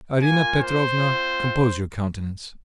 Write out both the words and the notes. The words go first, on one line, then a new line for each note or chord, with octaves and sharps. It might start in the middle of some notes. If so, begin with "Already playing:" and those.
Arina Petrovna, compose your countenance.
A#3 F4 G#5
C5
C4 F4